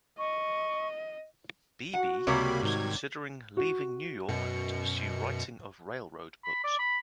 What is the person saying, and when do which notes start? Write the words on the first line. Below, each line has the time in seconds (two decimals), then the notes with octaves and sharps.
Beebe was considering leaving New York to pursue writing of railroad books.
0.19 D#5 C#6
1.94 F#4 F#5
2.27 C#2 C3 G3 A#3 C#5 B5
2.63 G#2 D#3 G#6
3.57 F#4
4.29 F#2 B2 C#7
6.45 B5
6.64 D5
6.79 B5